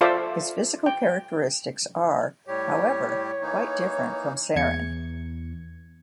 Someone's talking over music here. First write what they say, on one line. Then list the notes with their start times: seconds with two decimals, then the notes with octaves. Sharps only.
Its physical characteristics are, however, quite different from sarin.
0.01 F4 A4 C5 D5 E5 F5
0.86 G5
2.47 A2 G3 G4 C#5
3.42 E3 A#3 D#4
4.56 E2 G#6 C#7